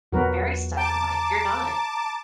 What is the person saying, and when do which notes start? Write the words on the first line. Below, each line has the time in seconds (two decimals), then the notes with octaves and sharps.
very stuck in life. You're not.
0.12 E2 F#3 B3 F#4 A#4 B4
0.77 G5 A5 A#5 D6